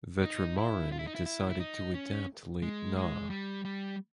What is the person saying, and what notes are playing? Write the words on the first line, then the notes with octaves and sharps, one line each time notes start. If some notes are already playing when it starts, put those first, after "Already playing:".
Vetrimaaran decided to adapt late Na.
D#4
E4
F4
E4
D#4
E4
E4
E4
D#4
C#4
G#3
G#3
G3
G3